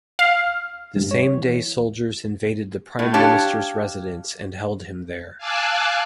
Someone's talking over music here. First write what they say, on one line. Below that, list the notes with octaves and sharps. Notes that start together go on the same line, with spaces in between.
The same day soldiers invaded the Prime Minister's residence and held him there.
F5
G2
C#5
E3
A2
D4 G4 C#5 F5 G5 A5
F5 G#5 A5 D6 E6 F#6